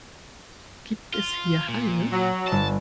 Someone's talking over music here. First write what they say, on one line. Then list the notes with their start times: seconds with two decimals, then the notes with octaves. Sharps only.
Gibt es hier Haie?
1.14 F4
1.69 A#2
2.12 F#3
2.48 G1 D#5 A5